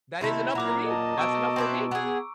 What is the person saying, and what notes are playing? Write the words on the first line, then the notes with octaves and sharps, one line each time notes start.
That is enough for me That's enough for me.
C3 D#3 A3 E4
A#2 F#3 A#4 A#5 D6
D#5 A5
B2 C#6 E6 D7
C4 E4 B4
B3 G#4